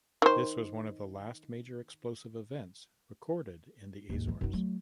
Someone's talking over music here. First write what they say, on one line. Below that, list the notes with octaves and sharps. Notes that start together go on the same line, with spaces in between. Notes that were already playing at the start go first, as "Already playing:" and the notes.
This was one of the last major explosive events recorded in the Azores.
D#3 C5
D#2 G#2
E3 G#3
F#2 D#4
F#3 A3